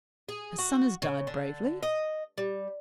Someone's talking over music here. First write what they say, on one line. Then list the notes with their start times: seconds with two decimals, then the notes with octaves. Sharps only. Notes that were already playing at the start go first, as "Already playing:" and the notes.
Her son has died bravely.
0.29 G#4
0.58 F#4
1.02 C#3
1.27 D3
1.83 D#5
2.38 G3